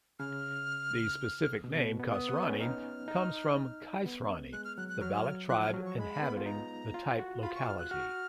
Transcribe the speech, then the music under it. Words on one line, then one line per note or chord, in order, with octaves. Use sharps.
The specific name "kasrani" comes from Qaisrani, the Baloch tribe inhabiting the type locality.
C#3 F6
B2
B2
B3
B3 D#6
B3
C#4
D#4 F6
D#4
B3
G#3 F#6
F6
F#3 F#6
F#6
F#3 F6
F3 F#6
F6
F#3
C#6
G#3 B5
B3
F4
D#4 A#5
F4
F#4
F4 B5
C#6
F6
F#6
F#4 F6